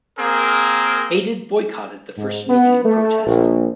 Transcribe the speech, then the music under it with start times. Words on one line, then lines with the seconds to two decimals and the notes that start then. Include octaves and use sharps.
Aidid boycotted the first meeting in protest.
0.19 A#3 C4 G#4 A#4
2.18 G#2
2.49 B3
2.85 A3
3.27 A#1